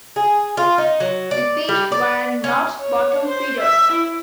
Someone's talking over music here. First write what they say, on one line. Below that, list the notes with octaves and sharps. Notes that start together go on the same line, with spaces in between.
The fish were not bottom feeders.
G#4
F4
D#4
F#3
D5
G3
D5
C#4
C#5
C5
E5
E4